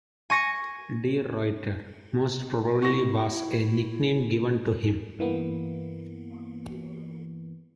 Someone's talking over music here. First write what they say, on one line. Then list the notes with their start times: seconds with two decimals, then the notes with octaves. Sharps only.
"De Ruyter" most probably was a nickname given to him.
0.30 G#5 C#6 A#6 C#7
2.82 E4 C#6 A#6
5.19 G2 E3 A#3 B3